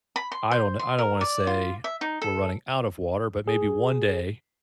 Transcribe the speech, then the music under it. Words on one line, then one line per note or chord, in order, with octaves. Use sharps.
I don't kn I don't wanna say we're running out of water, but maybe one day,
B5
C6
C5
C6
A#4
D5
F4
E5
D#4
A4
G#4